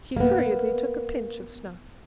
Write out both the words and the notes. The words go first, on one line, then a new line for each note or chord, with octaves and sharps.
He hurriedly took a pinch of snuff.
A#3 B3